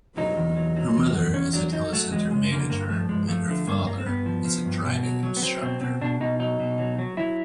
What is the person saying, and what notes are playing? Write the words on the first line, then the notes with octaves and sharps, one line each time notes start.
Her mother is a telecentre manager and her father is a driving instructor.
F#3 D#4
E2
F#3
F#3
E2
E2
E2 C#4
F#3 D4
F#3 D#4
F#3 A3
E2 G#3
C#3 G#3
D3 A#3
G2 A#3
F3 A3
G2 G#3
F3 A3
D3 A3
G2 A#3
G2 A#3
C4
G2 B3
F3
F3
G2
B2
F#3
F#3
B3
F#3 C4
B2 C4
B2 C4
B2 D4
B2 D#4
F#3 D#4
B2
F#3
F#3
F#3 E4